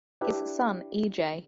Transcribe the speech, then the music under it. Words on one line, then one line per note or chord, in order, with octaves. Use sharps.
His son E. J.
D4 E4 G4 B4